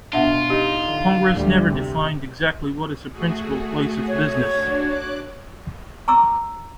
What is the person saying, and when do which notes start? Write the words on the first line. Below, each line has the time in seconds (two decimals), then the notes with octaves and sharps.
Congress never defined exactly what is a principal place of business.
0.13 B2 D4 F4 E5 F#5
0.50 D#4 G4
0.84 D3
1.33 D2 G3
1.69 C3
3.11 A3 F#4 G#4
4.08 C#5
4.52 D4 F#4
4.88 D6 F#6
6.08 A#5 C#6 D6 E6